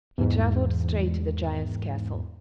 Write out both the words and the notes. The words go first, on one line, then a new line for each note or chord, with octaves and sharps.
He traveled straight to the giant's castle.
E2 G#2